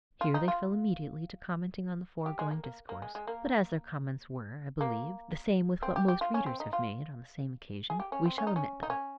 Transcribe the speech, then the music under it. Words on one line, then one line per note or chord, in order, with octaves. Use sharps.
Here they fell immediately to commenting on the foregoing discourse; but, as their comments were, I believe, the same with what most readers have made on the same occasion, we shall omit them.
F4
D#4
F4
G4
G#3
A#3
A#3
A#3
G#3
G#3
A#3
A#3
C4
G4
G4
F4
C#4
C4
D#4
F4
G#4
G4
C#4
C4
C#4
D#4
C#4
D#4
C#4